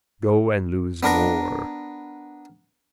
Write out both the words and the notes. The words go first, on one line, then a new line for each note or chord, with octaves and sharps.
Go and lose more.
B3 D4 A#4 A#5